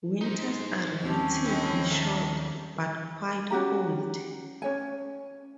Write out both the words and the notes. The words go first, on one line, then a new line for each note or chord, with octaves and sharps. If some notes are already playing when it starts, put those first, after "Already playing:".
Winters are relatively short, but quite cold.
D#4 C5
D#2 F#3 C4 C#4
C#3 D#4 C#5 G5
D#3 A4 E5
C#4 F#4 G4 A#5
C#4 C#5 G#5